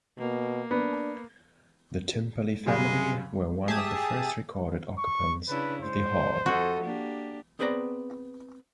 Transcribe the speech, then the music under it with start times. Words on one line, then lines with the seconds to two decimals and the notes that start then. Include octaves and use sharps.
The Timperley family were one of the first recorded occupants of the Hall.
0.19 B2 A#3
0.71 B3 D4
2.66 F#2 C#3 G3 G#3
3.68 G4 G#4 E5 A5 D#6
4.98 C#6
5.48 C#3 D4 E4 B4
5.82 G#3 C5
6.46 F2 F#4 A4 D#5
6.83 A#3 D4 G4
7.59 B3 C4 G#4 B4 D5 A#5